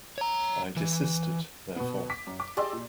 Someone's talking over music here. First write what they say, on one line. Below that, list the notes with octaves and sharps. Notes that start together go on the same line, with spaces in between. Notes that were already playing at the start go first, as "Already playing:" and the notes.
I desisted, therefore.
C#5 A#5
E3
B2 B3
D6 B6
F#2
D6
G4 G#4 D5 D#5 C6 E6
A#2